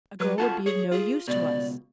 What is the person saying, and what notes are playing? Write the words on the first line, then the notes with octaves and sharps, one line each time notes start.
A girl would be of no use to us.
F#3 B4
F4 F#4 A4 A5
G#4 C#5
F4 G#4
C#2 B2 D5